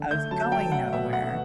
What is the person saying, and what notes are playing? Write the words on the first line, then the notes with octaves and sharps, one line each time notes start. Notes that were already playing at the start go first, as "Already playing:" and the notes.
I was going nowhere,
Already playing: D3
A3 G6
F#3 A5
F#3 G5
A3 F#5
B2 E5
A3 F#5